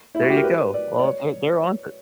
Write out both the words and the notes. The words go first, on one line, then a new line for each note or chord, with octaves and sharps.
There you go. Well, they're they're on it.
E4
F#4
G4
A#4
B4
D5
D5
C#5